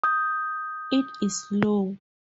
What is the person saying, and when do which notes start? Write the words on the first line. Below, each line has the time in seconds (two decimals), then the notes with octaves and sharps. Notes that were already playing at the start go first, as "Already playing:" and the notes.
It is slow.
0.04 D#6 G6